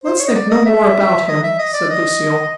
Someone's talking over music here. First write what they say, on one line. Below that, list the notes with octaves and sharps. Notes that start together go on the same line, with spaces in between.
"Let's think no more about him," said Lucille.
C5
C#5
D#5
D5
D#5
E5
D#5
E5
D#5
D5
D#5